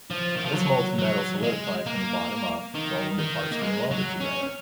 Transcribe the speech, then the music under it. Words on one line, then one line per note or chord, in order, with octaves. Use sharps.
This molten metal solidifies from the bottom up, joining the parts being welded together.
F3
D#3
F3
F#3
F#3
G#3
A#3
D#3
D#3
A#3
G#3
F#3
C#4